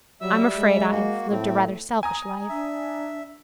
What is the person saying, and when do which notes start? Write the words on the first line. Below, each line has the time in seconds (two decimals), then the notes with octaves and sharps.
I'm afraid I've lived a rather selfish life.
0.21 F#3 G3 E5 E6
0.57 G#3
0.90 A#3 F#4
1.30 A2 C4
2.03 G#5 A#5 D#6
2.49 D4 E5